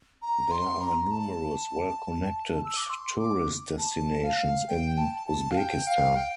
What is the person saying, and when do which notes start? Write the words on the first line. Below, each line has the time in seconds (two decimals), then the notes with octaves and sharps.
There are numerous well connected tourist destinations in Uzbekistan.
0.22 A#5
0.51 C6
0.81 A#5
1.11 A5
2.65 E6
2.77 D6
2.89 C6
3.19 D6
3.78 A5
4.23 F5
4.68 G5
4.98 A5
5.27 A5
5.51 F5
5.57 G5
5.87 F5
6.16 G5